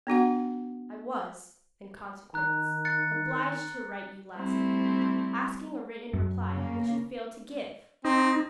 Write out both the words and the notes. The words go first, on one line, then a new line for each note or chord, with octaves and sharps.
I was, in consequence, obliged to write you last night, asking a written reply, which you failed to give!
B3 D4 F#4 F#5
D#3 A#5 F#6
F#6 A6 C#7
G3 A3 C4 E4
F#2
C#3 A#3
C4 D#4